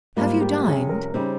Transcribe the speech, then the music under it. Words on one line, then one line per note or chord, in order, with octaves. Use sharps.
'Have you dined?
G#2 G3 A#3 D#4 F4
G4
F2 C3 G3 C#4 G#4
A#4
C#3 G3 C4 D#4 C5